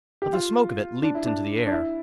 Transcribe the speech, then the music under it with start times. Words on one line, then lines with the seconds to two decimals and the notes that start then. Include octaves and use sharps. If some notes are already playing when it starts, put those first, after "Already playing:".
But the smoke of it leaped into the air.
0.22 G4
0.33 F4
1.03 D4
1.15 E4
1.26 D4
1.66 D4
1.72 E4